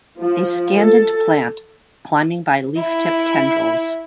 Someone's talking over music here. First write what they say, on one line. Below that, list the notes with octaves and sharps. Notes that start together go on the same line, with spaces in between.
A scandent plant, climbing by leaftip tendrils.
F3
A4
E4